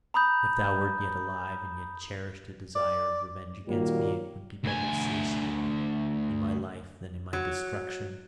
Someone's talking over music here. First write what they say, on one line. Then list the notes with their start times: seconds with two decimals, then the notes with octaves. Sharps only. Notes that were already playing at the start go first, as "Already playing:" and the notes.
If thou wert yet alive and yet cherished a desire of revenge against me, it would be better satiated in my life than in my destruction.
0.14 A#5 B5 D#6 G6
2.75 D5
3.67 A#2 D#3 F#3 G3 A#3
4.64 D2 G#5
7.33 F#3